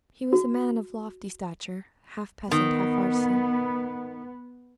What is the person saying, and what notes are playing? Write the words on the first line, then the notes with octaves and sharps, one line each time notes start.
He was a man of lofty stature, half peasant, half artisan.
F#4
D#3 B3